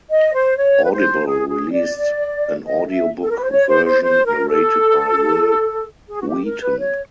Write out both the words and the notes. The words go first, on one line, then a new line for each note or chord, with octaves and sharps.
Audible released an audio book version narrated by Wil Wheaton.
D#5
C5
C#5
B4
C5
G#4
G#4
D5
D#5
E5
A4
A#4
B4
C5
C#5
C5
C5
C5
A#4
A4
G#4
F#4
G4
A#4
B4
C#5